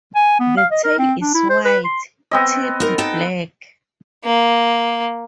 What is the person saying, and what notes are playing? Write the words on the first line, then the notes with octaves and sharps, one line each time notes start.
The tail is white, tipped black.
G#5
B3
F5
D#5
A#4
C4
D4
E4
C5
B4
C6
B3 C4 D#5
D#4 A#4
D#4 A4 G5
A#3